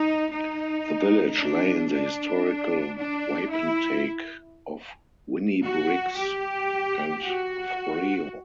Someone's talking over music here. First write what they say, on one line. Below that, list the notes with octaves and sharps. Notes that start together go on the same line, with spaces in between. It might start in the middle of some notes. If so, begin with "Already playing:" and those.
The village lay in the historical wapentake of Winnibriggs and Threo.
Already playing: D#4
D#4
D4
D4
D4
E4
F#4
G4
F#4